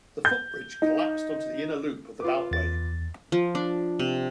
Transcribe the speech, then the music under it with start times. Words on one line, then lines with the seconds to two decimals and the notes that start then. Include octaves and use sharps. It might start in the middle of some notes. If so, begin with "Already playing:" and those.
The footbridge collapsed onto the inner loop of the Beltway.
0.25 G6
0.82 D#4
2.20 F4 B4 D6
2.51 E2 A6
3.32 F3
3.55 D4
3.99 C3